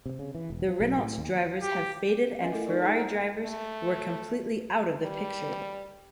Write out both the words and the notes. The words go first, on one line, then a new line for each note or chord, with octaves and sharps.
The Renault drivers had faded and Ferrari drivers were completely out of the picture.
C3
C#3
E3
E1
F3
B1
A2
D#2
G4
C#4 D#5 E5 G#5
A3 E4 A4 A#4
D#4 A#4 D5
D#4 G#4 A4
F#5 A#5
A3
G3